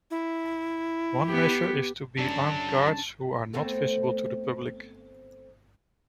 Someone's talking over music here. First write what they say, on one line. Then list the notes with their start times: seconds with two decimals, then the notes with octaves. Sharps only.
One measure is to be armed guards who are not visible to the public.
0.11 E4
1.25 B3 G4
2.19 F#2 C#3 F#3 D4 A5
3.53 A3 B3 C4